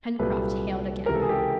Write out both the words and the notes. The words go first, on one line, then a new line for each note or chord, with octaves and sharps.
Pencroft hailed again.
C2 A#2 F#3 A4 B4
C#2 C3 E3 A#4
A4
G#4
G4 A4